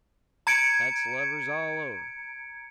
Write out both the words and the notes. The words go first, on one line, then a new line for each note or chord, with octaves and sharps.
That's lovers all over.
A#5 G#6 C#7 D7